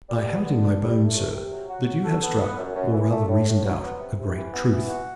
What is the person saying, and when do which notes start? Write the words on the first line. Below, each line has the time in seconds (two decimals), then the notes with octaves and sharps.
"I have it in my bones, sir, that you have struck--or rather reasoned out--a great truth."
0.09 G3
0.27 B3
0.45 D3
0.62 D4
0.81 G3
0.98 A3
1.15 C3
1.34 C3
1.51 F#3
1.69 F#4
1.87 F#3
2.04 A4
2.22 B3
2.40 B3
2.58 F#2
2.75 F#2
2.93 E3
3.11 A3
3.28 A2
3.47 A2
3.64 F#3
3.82 B3
3.99 C3
4.18 C3
4.35 E3
4.53 B3
4.70 E3
4.88 F#4